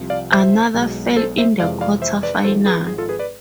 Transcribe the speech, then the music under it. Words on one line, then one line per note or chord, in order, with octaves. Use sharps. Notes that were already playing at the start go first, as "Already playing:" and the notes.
Another fell in the quarterfinal.
Already playing: C2 C3 F3
D5 F5
C5 E5
B1 B2 G#3
A4 C5
C5 E5
F2 C3 E3 G#3 D5 F5
D5 F5
C5 E5
B4 D5
B4
G#1 G#2 F3 G#3 A4 C5
G#4 B4
G#4
F4 A4
G#4 B4
B4 D5